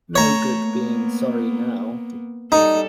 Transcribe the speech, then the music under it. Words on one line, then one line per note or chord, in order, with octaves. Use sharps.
No good being sorry now.
A3 C#5 A#5
A#3 B3
G3 D#4 A4